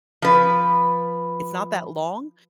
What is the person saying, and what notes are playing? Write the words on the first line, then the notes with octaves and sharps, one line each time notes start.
it's not that long,
F3 B4